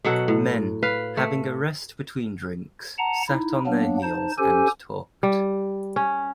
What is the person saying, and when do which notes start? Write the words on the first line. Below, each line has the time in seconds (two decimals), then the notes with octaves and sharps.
Men, having a rest between drinks, sat on their heels and talked.
0.04 B2 F#3 A4 F#5
0.28 A2
0.83 B4 F5
1.17 A3
2.98 F#5 A5 A#5
3.28 D#4 E4
3.66 F#3 A#3 B3 D4
4.03 D#4 C5 A5
4.38 C#4 G4 A4 C5 G#5
5.23 G3
5.96 C#4